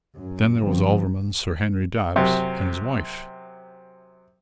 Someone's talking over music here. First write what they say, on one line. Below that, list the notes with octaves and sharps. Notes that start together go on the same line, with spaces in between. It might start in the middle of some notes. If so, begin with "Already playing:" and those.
Then there was Alderman Sir Henry Dabbs and his wife.
F#2
G1 B2 F3 C4
F#2 C3